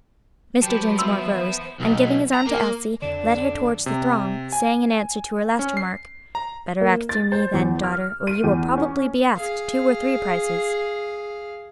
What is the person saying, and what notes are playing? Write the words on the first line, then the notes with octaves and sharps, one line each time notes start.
Mr. Dinsmore rose, and giving his arm to Elsie, led her towards the throng, saying in answer to her last remark, "Better act through me, then, daughter, or you will probably be asked two or three prices."
F#3 G4 B4 C5 A5
B3 E5 B5 C6 E6
B1
A#5
A#3
F2 D3 D4
C3
G#5
C#4
C7
A#5
A#3
A6
C5
E2
F6
D#7
E2
C#4
G#4 F5